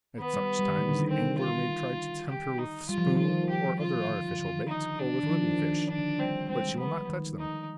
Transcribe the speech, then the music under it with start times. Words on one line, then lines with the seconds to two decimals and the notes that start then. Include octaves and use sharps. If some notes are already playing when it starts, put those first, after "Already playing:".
At such times the angler may try to tempt her with spoon or other artificial bait, or with live fish, but she will not touch them!
0.19 D#3 B3
0.34 G3
0.59 G3
0.69 D#3
0.78 D3
0.89 D3
0.99 D#3
1.09 C4
1.39 F4
1.69 D3
2.29 G4
2.58 D#4
2.89 G3 F4
2.98 F3
3.07 D#3
3.15 F3 F4
3.49 G4
3.79 D#3 F4
4.09 D3
4.39 D3
4.49 D#3
4.59 D#3
4.68 D#4
4.99 D4
5.23 D#3
5.29 F3
5.58 D#3
5.89 D#3 D4
5.99 D3
6.18 G3 C4
6.48 G#3 C4
6.60 G3
6.70 F3
6.79 D3 B3
7.09 D#3
7.39 D#4